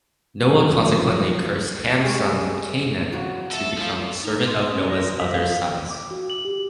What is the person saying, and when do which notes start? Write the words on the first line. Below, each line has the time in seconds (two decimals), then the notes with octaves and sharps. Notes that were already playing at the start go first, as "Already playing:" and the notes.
Noah consequently cursed Ham's son Canaan to become the servant of Noah's other sons.
0.41 F#2 D#3 F3
2.03 G3 G#3 C#4
3.12 F2 F#3 F#4
3.51 B2 A3 A4 E5
3.77 F3 A3 C#4 F4
4.24 D#4
4.47 C6
4.71 C#4
4.90 A#6
5.19 B6
5.31 F5
5.62 G5
5.91 D6
6.11 F#4
6.30 F#7
6.45 G4